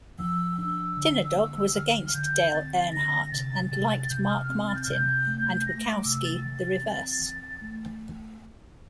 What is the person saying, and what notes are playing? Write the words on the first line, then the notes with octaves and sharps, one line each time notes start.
Tinadog was against Dale Earnhardt and liked Mark Martin, and Witkowski the reverse.
F3 E6
D4 E6
D3
A#3
D3 F6
D3 G6
G6
C4 A6
D3 A#6
C3 A6
C3 A6
C3 G6
F6
C4 F6
A6
G6
F6
C3 G6
A3
A3 A#6
D6
C3 E6
A6
E3 A6
C4
E3
A3